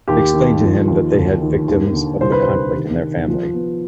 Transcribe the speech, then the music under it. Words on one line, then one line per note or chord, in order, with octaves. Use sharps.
They explained to him that they had victims of the conflict in their family.
D#2 G4
D#3
F3
D#2
D2
D#3
D#2
D3
C2 C5
B4
C5
C3
D#3
D#3
F3
B3